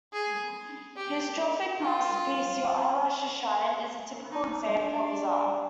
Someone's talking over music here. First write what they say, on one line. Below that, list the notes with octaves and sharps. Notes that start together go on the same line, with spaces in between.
His strophic masterpiece "Your eyelashes shine" is a typical example of his art.
G#4
G4
F4
D#4
D4